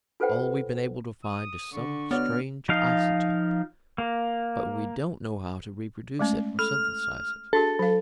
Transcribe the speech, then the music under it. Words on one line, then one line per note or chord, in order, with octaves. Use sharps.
All we've been able to find is some strange isotope but we don't know how to reproduce it or synthesize it.
F4 A4 B4 C5 F#5 G5
D#6
D3 C#6
B3 F#4 C#5 D5 F6
F3 D#4 F5
A#3
G#3 A3 C#4
A4 B5 F6
D4 F#4 G#4 A4
F#3 F5